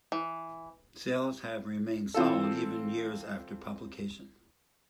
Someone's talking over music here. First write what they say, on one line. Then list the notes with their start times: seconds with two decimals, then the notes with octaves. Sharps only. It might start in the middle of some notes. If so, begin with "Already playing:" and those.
Sales have remained solid, even years after publication.
0.12 E3
2.14 E3 C4 F4 A4